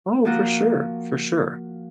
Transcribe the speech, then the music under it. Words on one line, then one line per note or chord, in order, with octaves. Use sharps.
Oh, for sure, for sure.
F3 A#3 F4 F#4